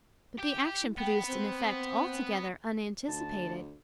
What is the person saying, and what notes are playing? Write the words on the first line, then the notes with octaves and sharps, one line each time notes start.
But the action produced an effect altogether unanticipated.
G4
E4
B3 G5
C4
D2 A5